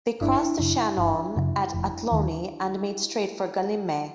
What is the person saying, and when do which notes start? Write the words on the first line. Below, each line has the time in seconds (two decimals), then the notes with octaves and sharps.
They crossed the Shannon at Athlone and made straight for Gallimhe.
0.21 G1 D4 E4
0.59 F#2 C#3
0.98 G1
1.36 F#2 C#3
1.74 F1
2.12 D#2 D#3